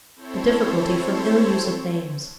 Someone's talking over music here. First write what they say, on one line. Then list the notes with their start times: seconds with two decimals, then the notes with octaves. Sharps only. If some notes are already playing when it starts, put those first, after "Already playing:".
The Difficulty from ill Use of Names.
0.15 C4 E4 A4 C5 C#5